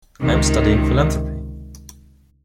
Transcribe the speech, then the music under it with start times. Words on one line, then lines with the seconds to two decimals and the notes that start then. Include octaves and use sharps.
I am studying philanthropy.
0.22 C#2 C3 D#3